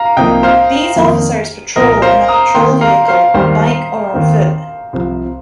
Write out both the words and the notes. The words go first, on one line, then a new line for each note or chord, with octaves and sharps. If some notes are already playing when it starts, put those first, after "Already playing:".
These officers patrol in a patrol vehicle, on bike, or on foot.
Already playing: F5 A#5
C2 C3 F3 A#3 D#4 D#5 G5
C5 F5
F2 D#3 A#3 D#4
C2 A#2 F3 A#4 D#5
C5 F5
A#5 D#6
C3 D#3 A#3 D#4 G5 C6
F5 A#5
C5 F5
D#2 D#3 G3 C5
D#2 D#3 C4
C2 C3 F3